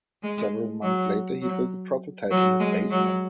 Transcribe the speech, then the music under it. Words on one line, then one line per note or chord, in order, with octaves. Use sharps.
Several months later he built a prototype in his basement.
G#3
F#3
F#3
F#3
G#3
F#3